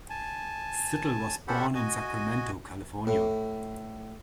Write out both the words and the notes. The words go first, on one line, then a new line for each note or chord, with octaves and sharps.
Zettel was born in Sacramento, California.
G#5 A5
C#4 G4 A4 C5 F#5 B5
F#4 D#5 G#5
A2